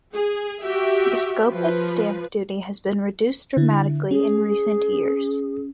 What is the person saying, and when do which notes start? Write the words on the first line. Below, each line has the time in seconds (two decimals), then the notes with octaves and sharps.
The scope of stamp duty has been reduced dramatically in recent years.
0.13 G#4
0.61 F#4 G4 E5
1.51 F3 B4
3.57 D3 E4
4.11 C#4 G#4